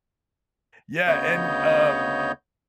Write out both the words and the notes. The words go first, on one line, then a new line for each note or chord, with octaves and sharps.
yeah, and, um
D2 C#3 B3 C#5 D#5 G6